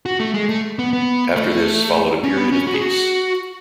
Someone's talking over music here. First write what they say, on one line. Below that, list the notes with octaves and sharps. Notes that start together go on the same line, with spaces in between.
After this followed a period of peace.
F#4
A3
G#3
A3
B3
B3
A3
C#4
B3
C#4
F#4
G#4
F#4